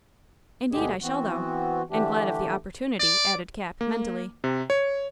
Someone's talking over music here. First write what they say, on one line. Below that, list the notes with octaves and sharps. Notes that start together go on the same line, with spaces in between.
"Indeed I shall, though--and glad of the opportunity," added Cap, mentally.
D2 B2 D3 G#3 G4 G#4
E3 B3 C4 F#4
D3 E3 A3 D4 G4
D5
A#3
C3
C#5